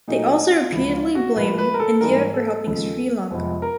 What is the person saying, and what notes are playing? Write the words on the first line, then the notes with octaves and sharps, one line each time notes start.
They also repeatedly blamed India for helping Sri Lanka.
A#2 F#3 A3 D#4
D#4
F4
C#2 C#3 F3 G#3 B3 E4
F4
F#4
A2 F3 A#3 B4
B4
A#4
A4
G#2 E3 G3 B3 A#4
A4
D#2 C#3 F3 G#3
F2 C3 F3 G#3 B3
A#4